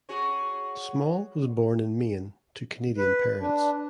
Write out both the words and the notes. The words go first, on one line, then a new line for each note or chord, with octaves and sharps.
Small was born in Maine to Canadian parents.
F#4 G#4 C#5
B4
D4